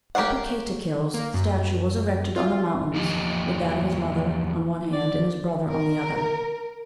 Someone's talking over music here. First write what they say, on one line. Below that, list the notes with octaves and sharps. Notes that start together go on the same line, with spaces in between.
Apocatequil's statue was erected on the mountains, with that of his mother on one hand, and his brother on the other.
G4 A#4 C#5 F5 F#5
A#3
F#2
F4
E2 F3 A#3 G4 D#5
D5
A#4